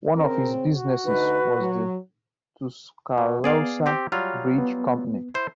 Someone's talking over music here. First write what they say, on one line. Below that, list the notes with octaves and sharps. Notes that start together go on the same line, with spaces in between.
One of his businesses was the Tuscaloosa Bridge Company.
C#3 C4 A#4
F#4
D2 D3 D#4 B4
F#3
B2
B3 G#4 D5 F5
C4 G4
F#3 G3 F4 F6
B3
E4 C5